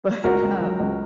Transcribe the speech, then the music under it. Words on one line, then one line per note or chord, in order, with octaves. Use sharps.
But, uh,
C#2 F#4 A#4
C#2
F#3
C#2